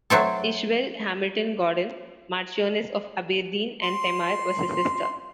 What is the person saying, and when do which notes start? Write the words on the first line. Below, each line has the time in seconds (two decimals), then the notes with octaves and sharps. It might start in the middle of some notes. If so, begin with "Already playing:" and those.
Ishbel Hamilton-Gordon, Marchioness of Aberdeen and Temair, was his sister.
0.10 F#3 A3 C4 A4
3.83 C6